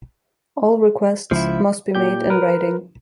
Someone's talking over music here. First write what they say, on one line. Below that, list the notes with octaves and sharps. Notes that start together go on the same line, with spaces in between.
All requests must be made in writing.
C#2 F3 E4
A#2 G4 G6
A#4 B4